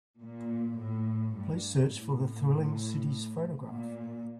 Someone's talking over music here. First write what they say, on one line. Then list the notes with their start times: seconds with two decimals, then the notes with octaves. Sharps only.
Please search for the Thrilling Cities photograph.
0.21 A#2
0.78 A2
1.36 G2
1.95 A2
3.68 A#2